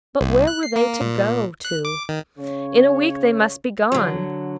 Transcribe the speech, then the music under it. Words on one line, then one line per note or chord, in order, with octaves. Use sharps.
But where were they to go to? In a week they must be gone.
C2
F#6
C7
A#3
A#2
F#6
D6
D#3
C#3 C#5
D3 F#3